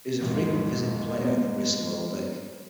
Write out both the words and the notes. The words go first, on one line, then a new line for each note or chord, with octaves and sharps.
He was a frequent visiting player at the Bristol Old Vic.
G#1 E2 G#2 G#3
A#3 B3